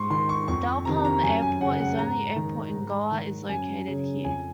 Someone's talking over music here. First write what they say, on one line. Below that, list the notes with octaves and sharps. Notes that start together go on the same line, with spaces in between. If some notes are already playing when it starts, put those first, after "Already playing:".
Dabolim Airport, the only airport in Goa, is located here.
Already playing: G#2 C6 C#6
D#3 C6
C#6
F2 C#6
C3 D#3 A#5
A#5
F#2 G#5
G#5
C#3 F#5
F#5
G#2 A#5
D#3
G#2
D#3
F#2 G#5
C#3
F2 G#5